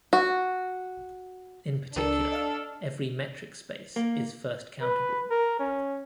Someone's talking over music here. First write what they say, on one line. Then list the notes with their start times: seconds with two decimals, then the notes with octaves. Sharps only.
In particular, every metric space is first-countable.
0.13 F#4
1.96 C#2 D4 A4 A#4
2.32 D#5 F5 F6
3.96 A#3
4.82 B4
5.30 A#4
5.59 C#4